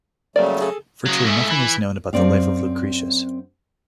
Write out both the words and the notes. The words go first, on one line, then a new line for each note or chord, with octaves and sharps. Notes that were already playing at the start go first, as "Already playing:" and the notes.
Virtually nothing is known about the life of Lucretius.
C#3 F#3 G3 A3 A#3 D5
G#4 A4
C#3 F#3
G#2 A3
E3
F#2 C#3 C4 D5 F5